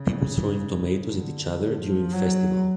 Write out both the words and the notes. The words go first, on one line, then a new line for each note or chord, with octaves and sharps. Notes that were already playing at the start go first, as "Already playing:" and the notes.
People throwing tomatoes at each other during festival.
Already playing: C#3
D3
F3
F#3